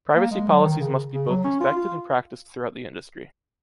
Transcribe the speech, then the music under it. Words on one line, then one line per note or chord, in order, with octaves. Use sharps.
Privacy policies must be both respected and practiced throughout the industry.
A#3
G#3
F#3
D#3
C#3
C#3
F#3
C#4
F4
F4